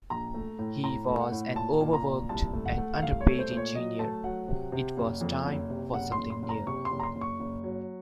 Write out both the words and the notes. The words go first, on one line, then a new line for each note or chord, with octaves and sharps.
He was an over-worked and underpaid Engineer, it was time for something new.
A#1 A#5
A3
A2
A2 A#5
A3
F#5
A2
A#2 A5
A#2
A#5
A#2
C2 A5
A3
F#5
A3
F#5
C2 F5
C#5
A3
C5
A#2
C#5
F#3 D#5
A3 A5
F#3 F#5
C3
C3
F#1
F2
F#1
C3
F#1 F#5
C6
F#1
C6
F#1
A#5
C3 C#6
C6
F#1
A#5
C6
F#1
C#6
F#1
F#3